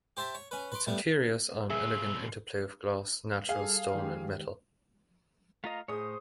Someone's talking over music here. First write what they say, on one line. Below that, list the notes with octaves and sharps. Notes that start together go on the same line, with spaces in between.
Its interiors are an elegant interplay of glass, natural stone and metal.
G4 C5 E5 A5
C#5
C#4 B4
B4 C6 D6
A2 G3 B3
B2 F4 G#4 E5 E6
G#4 F5
G3 A4
D#3 G#3 G4
A3 F4 D#5 F5 A#5
A2 G#4 C5 C#5 D#6